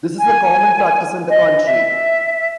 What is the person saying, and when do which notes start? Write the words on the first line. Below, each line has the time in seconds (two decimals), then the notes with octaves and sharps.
This is a common practice in the country.
0.19 G#5
1.30 D#5
1.66 E5